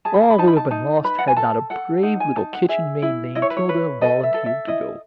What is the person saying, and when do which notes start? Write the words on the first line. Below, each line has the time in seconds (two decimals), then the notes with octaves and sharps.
All would have been lost had not a brave little kitchen-maid named Tilda volunteered to go.
0.05 G#4 A5
0.14 B5
0.22 A5
0.30 B5
0.38 D#4 A5
0.48 B5
0.57 A5
0.71 D#4 A5
1.04 B4 B5
1.18 F#5
1.28 G#5
1.36 A4 A5
1.70 A4 F#5
2.03 D#4 F#5
2.20 G#5
2.36 D#4 A5
2.53 F#5
2.68 G#4 E5
3.02 E4
3.35 E4 D#5
3.42 C#5
3.50 B4
3.57 C#5
3.69 B4
4.01 A4 D#5
4.23 E5
4.34 A4
4.46 E5
4.67 E4 D#5